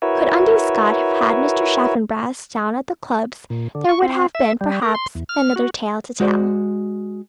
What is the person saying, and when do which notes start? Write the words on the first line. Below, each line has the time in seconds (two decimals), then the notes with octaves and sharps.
Could Undy Scott have had Mr. Chaffanbrass down at the clubs, there would have been, perhaps, another tale to tell.
0.02 E4 F#4 A#4 B4 C#5 E5
3.50 A#2
3.75 D3
3.89 C#6
4.02 C4
4.35 E5
4.61 G3
4.82 A#4
4.95 C6
5.15 E2
5.29 F6
5.56 F#4
6.20 G#3 F#4 C5 D5